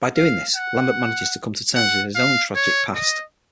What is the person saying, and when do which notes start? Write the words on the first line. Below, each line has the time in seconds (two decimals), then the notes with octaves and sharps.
By doing this, Lambert manages to come to terms with his own tragic past.
0.16 F5
0.56 F#5
1.75 F#5
2.16 F5
2.56 C#5
2.95 D#5